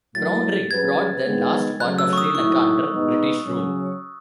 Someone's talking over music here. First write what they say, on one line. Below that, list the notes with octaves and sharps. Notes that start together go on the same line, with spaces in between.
Brownrigg brought the last part of Sri Lanka under British rule.
F#3 A3 E4 A6
F#3 C#4 G#4 B4 G#6
D#3 G#3 B3
C#3 F#3 A3 F#6
E6
C#6
D#6
D#3 F#3 A3 E4 C#6
B2 G#3 B3 D#4
C#3 F#3 C#4